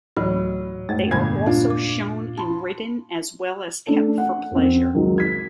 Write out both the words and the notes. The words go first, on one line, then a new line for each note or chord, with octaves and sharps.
They are also shown and ridden, as well as kept for pleasure.
D2 A2 E3 F#3 B5
F2 G#2 G#3 A3
G1 E2 G2 A#2 B5 G#6
A#2 D4 F4
D6
A5 B5 C6
A3 D4 A4
F#5
F2 C4
C#2 D#3 F#3
G#6 B6